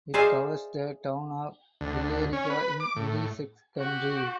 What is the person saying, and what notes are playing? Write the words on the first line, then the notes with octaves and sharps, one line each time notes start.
It covers the town of Billerica in Middlesex County.
D#4 G#4 C5 D5 E5 F5
D2
C#4
B4
D6
A2
F#4 G4